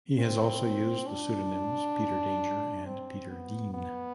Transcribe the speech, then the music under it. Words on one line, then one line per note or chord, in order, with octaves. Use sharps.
He has also used the pseudonyms Peter Danger and Peter Dean.
C4
D4
C4
B3
B3